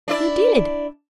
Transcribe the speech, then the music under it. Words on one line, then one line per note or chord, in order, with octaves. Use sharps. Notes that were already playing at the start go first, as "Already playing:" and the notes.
"He did."
D4 E4 D5